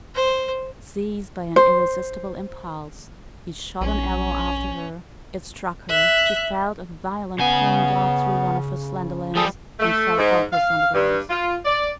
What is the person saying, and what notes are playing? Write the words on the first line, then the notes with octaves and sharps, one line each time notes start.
Seized by an irresistible impulse, he shot an arrow after her; it struck her, she felt a violent pain dart through one of her slender limbs, and fell helpless on the grass.
C5
C5
A#1 C#4
E5 F#6
C#3 B3 G#5
F3 G3 G#4 A4
A3
G#2
F5
G2
F4
D5